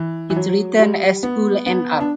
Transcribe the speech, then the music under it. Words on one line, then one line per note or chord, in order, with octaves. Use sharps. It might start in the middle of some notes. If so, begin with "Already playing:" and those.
It returned as School nr.
Already playing: E3
E3
F#3
G3
B3
B3
D4